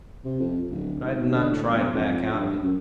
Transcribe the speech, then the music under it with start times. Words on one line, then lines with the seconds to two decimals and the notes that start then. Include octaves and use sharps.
But I did not try to back out of it.
0.24 C3
0.40 F2
0.70 D1
1.03 G#1
1.35 D3
1.52 A2
1.68 E1
1.95 F2
2.33 G2
2.62 F#2